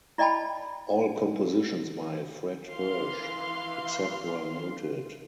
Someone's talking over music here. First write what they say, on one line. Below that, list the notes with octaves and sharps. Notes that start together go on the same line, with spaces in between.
All compositions by Fred Hersch except where noted.
E4 D5 D#5 G5 A5 B5
E3 F5 C6